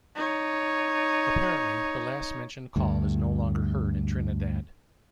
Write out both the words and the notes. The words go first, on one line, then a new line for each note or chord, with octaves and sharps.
Apparently, the last mentioned call is no longer heard in Trinidad.
D#4 C#5
D2 G2